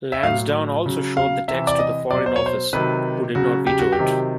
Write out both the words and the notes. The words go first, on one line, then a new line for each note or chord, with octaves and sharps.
Lansdowne also showed the text to the Foreign Office who did not veto it.
E5
A2 F#3 F5
C#3 F#3
F5
C3 E3 E5
D5
D#5
B2 F#3 D5
C5
C#5
C5
C3 D#3 F#3 B4
C#3 F#3 F#4
G4
F#4
G4
C3 D#3 F#3